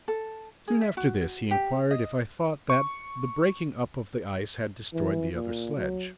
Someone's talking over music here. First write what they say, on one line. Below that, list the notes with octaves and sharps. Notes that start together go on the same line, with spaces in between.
Soon after this he inquired if I thought that the breaking up of the ice had destroyed the other sledge.
A4
G#4
E5
F#4
G4
D#5
C#6
E3
A#2
F#3